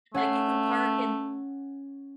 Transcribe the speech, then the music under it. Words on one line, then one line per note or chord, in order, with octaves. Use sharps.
Like you can park and
A3 C#4 F#5 C7